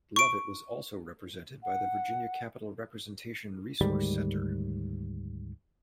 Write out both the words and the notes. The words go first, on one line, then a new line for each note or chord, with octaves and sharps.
Lovitt was also represented by the Virginia Capital Representation Resource Center.
C#6 D7
F#5
D2 G#2 D#3 G3